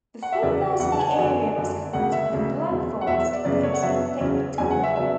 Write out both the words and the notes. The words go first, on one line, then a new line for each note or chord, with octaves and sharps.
Before that the area was called the "Black Forest" for its thick timber.
F#5
E5
E2 C#3 F#3 D5
E2 C#3 F#3 F#5
A5
G#5
F#5
F#2 D3 F#3 G#5
F#2 D3 F#3
D2 C#3 G#3 F#5
E5
D2 C#3 G#3
E2 B2 F#3
F#5
E2 B2 F#3 E5
E5
D5
F#2 C#3 F#3 B3 D4 D5
C#5
F#5
F#2 C#3 F#3 B3 D4 E5
E2 C#3 F#3 C#4
E2 C#3 F#3 C#4 G#5
F#5
E5
C#3 F#3 B3 D4 E5